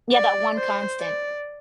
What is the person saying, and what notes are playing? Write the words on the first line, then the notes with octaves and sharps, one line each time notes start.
Yeah, that one constant.
D5
C5
D5